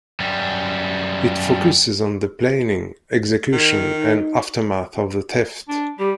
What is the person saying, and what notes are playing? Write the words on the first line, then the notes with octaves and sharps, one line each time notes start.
It focuses on the planning, execution, and aftermath of a theft.
F#2 G3
D#3
D#4
D4
G3 G4